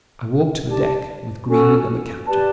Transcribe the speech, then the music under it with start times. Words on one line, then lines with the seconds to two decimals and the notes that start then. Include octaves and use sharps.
I walked the deck with Green and the captain.
0.68 G4 D5 A5
1.47 C#4 F#4 A4
2.26 G4 B4 D5 A5